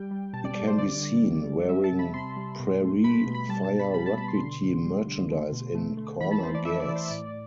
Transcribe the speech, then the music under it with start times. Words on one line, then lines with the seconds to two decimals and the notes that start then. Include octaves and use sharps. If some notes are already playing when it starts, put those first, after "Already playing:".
He can be seen wearing Prairie Fire rugby team merchandise in "Corner Gas".
Already playing: G3 G5
0.11 G3
0.33 B2 A5
0.45 D5
0.56 G3 D5
0.67 C5
0.78 D3 D5
1.01 D3
1.24 G3
1.46 G3
1.68 G3 E5
1.84 A5
1.92 C3
1.99 B5
2.14 C3 C6
2.36 G3
2.59 B2
2.82 A3
3.04 A3 B5
3.27 B2
3.35 B5
3.49 G3 A5
3.65 A5
3.71 B2
3.79 B5
3.94 G3 B5
4.06 A5
4.16 B2 B5
4.28 C6
4.39 D3 C6
4.63 D3
4.85 G3
5.07 D3
5.30 A3
5.52 B2
5.75 A3
5.97 A3
6.21 E3 B5
6.31 A5
6.43 E3 C5
6.55 D5
6.65 E3 E5
6.80 D5
6.89 E3
6.96 C5
7.05 E5
7.10 A2 D5